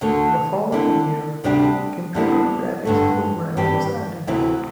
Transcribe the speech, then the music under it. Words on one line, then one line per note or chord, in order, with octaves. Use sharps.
The following year, a Computer Graphics program was added.
D2 D3 A3
D3 C4 E4
D2 C3 G3 D4 G4
E2 D3 G3 C4 E4
G2 D3 A3
G2 G3 C4 G4
D2 C3 E3 C4 E4